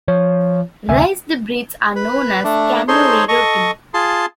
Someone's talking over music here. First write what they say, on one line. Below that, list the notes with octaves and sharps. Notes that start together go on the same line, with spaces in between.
Raised breads are known as "khamiri roti".
F3 C#5
D2 C3 E5 G#5
B4
A3 D4
D#4 G#4 A4 C5 C#5 C6
A4 D#5 C#6
F4 G#4 A5 C6